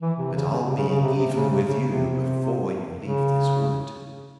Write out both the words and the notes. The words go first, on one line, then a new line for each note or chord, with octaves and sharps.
"But I'll be even with you before you leave this wood."
E3
C3
C#3
C#3
C3
C#3
C#3
C3
C3
C#3
C3
C#3
C3
C#3